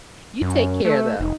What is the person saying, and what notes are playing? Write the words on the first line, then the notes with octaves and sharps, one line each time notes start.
you take care though.
F#2 C#4
A3 A4
F1 D#4